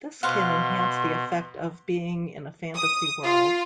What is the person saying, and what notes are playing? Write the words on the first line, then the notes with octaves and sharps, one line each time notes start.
This can enhance the effect of being in a fantasy world.
B2 C5 F5 F#5 C6
D#6
F4